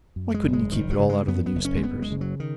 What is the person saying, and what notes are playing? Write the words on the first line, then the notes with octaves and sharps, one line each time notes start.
"Why couldn't you keep it all out of the newspapers?"
F#2
G#3
F#1
G#3
F#1 D#3
F#3
C#3
G#3
F#2 B3
B3
F#1
C#4
G#3
F#1 B3
G#3
C#3
F#3
D#3